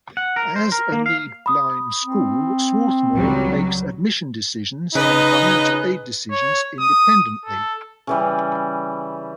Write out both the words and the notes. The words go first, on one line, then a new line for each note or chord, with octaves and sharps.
As a need-blind school, Swarthmore makes admission decisions and financial aid decisions independently.
F#5
A#4
C5
A#4
A#3
F5
B5 D#6
C4
C#2 F#3 G3
C#3 D#4 B4 D#5 F#6
C#5
D#6
A4
C#3 E3 G3